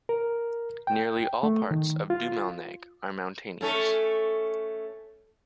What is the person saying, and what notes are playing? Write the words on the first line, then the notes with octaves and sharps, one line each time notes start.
Nearly all parts of Dumalneg are mountainous.
A#4
G5
A3
D#3
F4
A3 C#4 A4